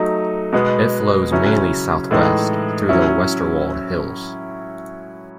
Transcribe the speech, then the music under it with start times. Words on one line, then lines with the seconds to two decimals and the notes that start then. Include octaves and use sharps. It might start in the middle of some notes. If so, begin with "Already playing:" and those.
It flows mainly south-west, through the Westerwald hills.
Already playing: F#3 A3 D#4
0.52 B2 G#3 B3
1.31 C#3 F#3 C#4 E4
2.11 A2 E3 G#3 D#4
2.89 F#3 C#4 E4